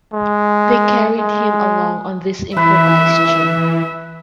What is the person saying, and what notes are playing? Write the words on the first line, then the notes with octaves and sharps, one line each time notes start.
They carried him along on this improvised chair.
G#3
G#3
E3 B4 E5